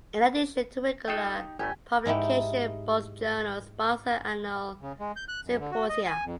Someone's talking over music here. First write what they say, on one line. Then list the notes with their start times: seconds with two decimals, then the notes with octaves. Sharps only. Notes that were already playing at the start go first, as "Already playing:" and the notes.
In addition to regular publication, both journals sponsor annual symposia.
1.08 A3 D#4 F4 G4 A4
1.59 G1 G2 A3 G4 G#5
2.05 G#2 D#4 E4 G4
4.82 C#3
5.00 G#3
5.16 G6
5.28 F#6
5.45 F#2
5.59 D3
5.71 F#4
5.89 D#5
6.07 G#5
6.25 F2